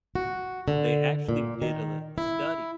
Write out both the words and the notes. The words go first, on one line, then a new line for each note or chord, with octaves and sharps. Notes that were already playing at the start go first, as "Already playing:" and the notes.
They actually did a l a study
F#4
D3
A#2
D#3
E4